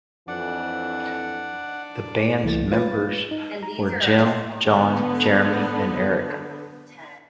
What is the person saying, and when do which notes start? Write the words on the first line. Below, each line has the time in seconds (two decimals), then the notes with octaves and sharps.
The band's members were Jim, John, Jeremy, and Eric.
0.28 F2 E3 D4 F#5
2.44 C2 E3 A3 A6
2.71 F4 B4 A6
3.31 D#4
3.63 A#5
4.24 D#5 E5 F#5 G5 A5 C6
4.64 D3 B3